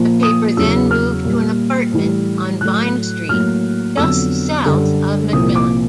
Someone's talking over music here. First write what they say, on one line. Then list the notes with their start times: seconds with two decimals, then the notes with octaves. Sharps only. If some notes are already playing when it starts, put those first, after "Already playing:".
The paper then moved to an apartment on Vine Street just south of McMillan.
Already playing: A#2 F3 A#3
0.23 D#6
0.57 E2 C#3 F#3 E6
0.91 F6
1.25 A#2 G3 A#3
1.93 A2 E3 G3
2.61 A2 F#3 A3 F#6
3.29 A2 F#3 A#3 F6
3.97 F2 D3 F#3 B3 E6
4.65 F#2 D3 G3
5.33 C2 A#2 F3 A#3 D#6
5.55 D6